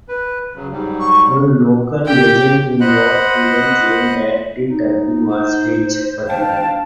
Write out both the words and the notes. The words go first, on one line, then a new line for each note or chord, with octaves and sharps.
One local legend in York even claimed that Dick Turpin was his butler.
B4
C#3 F#3
G#2 F#3 G3
C#6
G4 G5
C5 D#5 F#5 B5 F#6
D#4
C5
D4 F5 G5 A5